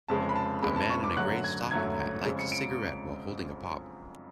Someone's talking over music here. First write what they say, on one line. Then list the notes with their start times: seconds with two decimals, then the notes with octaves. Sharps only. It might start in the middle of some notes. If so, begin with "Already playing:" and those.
A man in a gray stocking hat lights a cigarette while holding a pop.
0.08 F1 F2 C#3 G#3 A5
0.29 B5
0.36 A5
0.63 F1 F2 C#3 G#3 B5
0.76 A5
0.90 C#6
1.04 D6
1.17 G#1 F#2 D3 F#3 A3 F#6
1.44 G#6
1.71 G#1 F#2 D3 F#3 A3 G#6
2.25 F2 C#3 G#3
2.39 C#7
2.52 D7